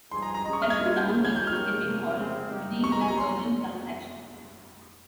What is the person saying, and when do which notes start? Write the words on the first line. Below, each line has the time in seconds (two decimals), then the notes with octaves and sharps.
Special Town Meetings can be called to deal with urgent transactions.
0.11 G2 F3 G#3 D#4 G#4 C6
0.22 A#5
0.34 A#5
0.45 G3 C#4 G#4 D#5 A#5
0.53 C#6
0.62 F6
0.70 G#6
0.80 G3 A#3 C#4 F4
0.96 G6
1.13 D#3 A#3 C#4
1.25 G#6
1.36 G6
1.47 G#3 D#4 G4 A#4 C#5 F6
1.81 C3 F3 A#3
2.16 C#3 G#3 C4
2.49 G2 G3 A#3 D#4 G4
2.84 C3 F3 A#3 D#4 C#6
2.92 A#5
3.01 G#5
3.08 A#5
3.17 C6